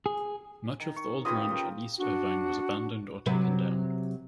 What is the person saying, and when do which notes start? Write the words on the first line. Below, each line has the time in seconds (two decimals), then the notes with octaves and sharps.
Much of the old Ranch in East Irvine was abandoned or taken down.
0.06 G#4
0.80 D#3
0.96 C#6
1.25 C#3 F4 G4 B4 D#5 D#6
1.50 G4 A#4 G5
1.98 D4 F#4
3.26 C3 F#3 B4